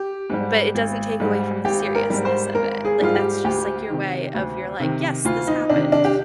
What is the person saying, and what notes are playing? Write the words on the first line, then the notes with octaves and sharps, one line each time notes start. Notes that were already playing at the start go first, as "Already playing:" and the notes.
but it doesn't take away from the seriousness of it, like, that's just, like, your way of you're like, "Yes, this happened,
Already playing: G4
G#2 G3
G#1
G#2 G3
G#1 G4
A#4
G#2 G3
C5
G#1 A#4
G#4
G#2 G3 F4
G4
D2 G4
C3 D#3
D2
C3 D#3
D2 F4
D#4
C3 D#3 D4
D4
G4